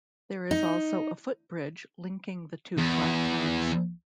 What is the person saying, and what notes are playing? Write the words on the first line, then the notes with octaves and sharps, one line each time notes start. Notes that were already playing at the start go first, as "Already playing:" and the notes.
There is also a footbridge linking the two platforms.
D#4
E2